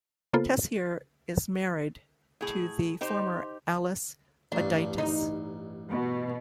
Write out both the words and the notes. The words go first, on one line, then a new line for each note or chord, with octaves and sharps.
Tessier is married to the former Alice Audietis.
C#3 A#3 B3 F4 A4 C5
A2 G#4
D#4 G4 C5
A1 G2 D4
D#4
B2